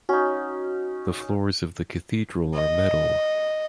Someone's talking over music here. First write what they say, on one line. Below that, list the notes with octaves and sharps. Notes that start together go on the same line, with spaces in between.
The floors of the cathedral are metal.
C#4 D#4 F#4
D#5